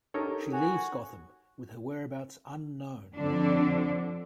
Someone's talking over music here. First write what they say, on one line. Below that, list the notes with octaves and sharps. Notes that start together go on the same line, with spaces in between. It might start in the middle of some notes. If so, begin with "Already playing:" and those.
She leaves Gotham, with her whereabouts unknown.
D#4 G4 A4 A#4 C#5
F#4 G#5
F2 D3 D4